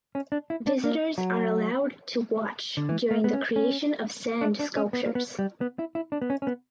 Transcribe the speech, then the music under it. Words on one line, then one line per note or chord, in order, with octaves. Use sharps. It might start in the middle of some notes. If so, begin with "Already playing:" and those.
Visitors are allowed to watch during the creation of sand sculptures.
C#4
D4
E4
D4
A#3
F#3
D3
E3
A#3
B3
C#4
C#4
D4
D4
C#4
B3
A#3
B3
G3
B3
E4
E4
D4
B3
C#4
C#4
B3